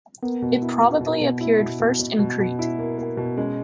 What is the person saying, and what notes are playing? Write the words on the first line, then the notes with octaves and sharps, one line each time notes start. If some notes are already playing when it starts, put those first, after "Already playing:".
It probably appeared first in Crete.
A#3 B3
B2
E4
B2
B2
B2
E4
B2
B2
B2
B2
B2
E4
A#3
A#3
B2
G#3 C#4